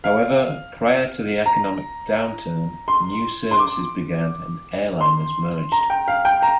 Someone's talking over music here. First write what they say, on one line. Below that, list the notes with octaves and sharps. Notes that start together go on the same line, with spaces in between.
However, prior to the economic downturn, new services began and airliners merged.
F5
A#5
C6
C6
D6
C6
A#5
G5
F5
G5
A#5